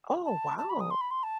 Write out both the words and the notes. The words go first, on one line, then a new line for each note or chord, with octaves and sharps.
Oh, wow.
A5
A5
B5
D#6
C6
B5
C6
A5